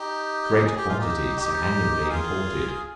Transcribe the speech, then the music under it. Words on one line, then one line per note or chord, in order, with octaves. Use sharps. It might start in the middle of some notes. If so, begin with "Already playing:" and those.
Great quantities are annually imported.
Already playing: D#4 G4
G#4
G4
F4
D#4 G4
D#4 G4
F4 G#4